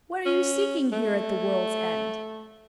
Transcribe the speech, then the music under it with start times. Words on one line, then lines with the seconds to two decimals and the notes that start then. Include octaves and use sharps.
What are you seeking here at the world's end?'
0.26 C#4
0.92 A3